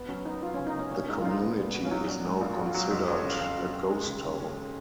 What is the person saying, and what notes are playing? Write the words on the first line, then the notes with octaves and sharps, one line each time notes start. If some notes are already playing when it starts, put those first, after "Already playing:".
The community is now considered a ghost town.
Already playing: B3
F#3 C#4
B3 D#4
F#3 F4
C#4
C#3
D#4
C#3 C#4
A#2 C#4
G#3 D#4
F4
A#2 D#4
B3
A#2
F#4
C#4
F#3 D#4
A#1
G#2
A#1 F4
A#1 F#4
F4
F#3
F2 F#4
F2
C#5
C#3 F5
F2 F5
F#3
F2
G#3
C#3
C#3
C#4